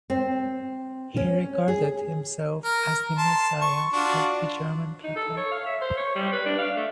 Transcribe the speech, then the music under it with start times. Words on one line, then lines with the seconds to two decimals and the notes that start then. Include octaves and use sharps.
He regarded himself as the Messiah of the German people.
0.10 C4
1.17 C#4
1.68 G#4
2.64 A#4
3.18 A5 C6
3.61 C#6
3.93 D4 F4 F#4
5.04 D#4
5.16 A4
5.37 C#5
5.52 F5
5.66 E5
5.81 C5
5.97 C#5
6.15 G3
6.33 B4
6.46 D4
6.59 F5
6.76 A3